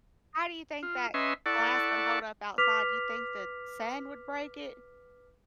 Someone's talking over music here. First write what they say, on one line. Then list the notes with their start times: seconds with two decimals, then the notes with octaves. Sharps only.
how do you think that glass would hold up outside, do you think the sand would break it?
0.83 F4
1.14 C#4 B4 D#5 E5 G#5 C6
1.46 E4 A4 D5 F#5 A5 C#6
2.58 B4 D6 F6 B6 F7